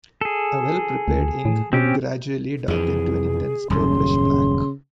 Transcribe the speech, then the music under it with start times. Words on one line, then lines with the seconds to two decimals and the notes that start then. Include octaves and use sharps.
A well-prepared ink would gradually darken to an intense purplish black.
0.21 G#4 A4
1.08 D2
1.45 A2
1.73 B2 C4 C#4 G4
2.68 F2 E3 G#4
3.70 D#1 F#2 C#3 C6